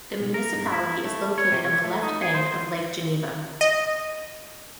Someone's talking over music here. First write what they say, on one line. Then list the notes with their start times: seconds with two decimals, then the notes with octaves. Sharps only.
The municipality is located on the left bank of Lake Geneva.
0.20 B1
0.34 A#4
0.54 G2
0.72 E4
1.05 A3
1.38 C#5
1.52 C3
1.65 C#5
1.84 A3
2.03 D#4
2.22 G#4
2.34 C5
3.61 D#5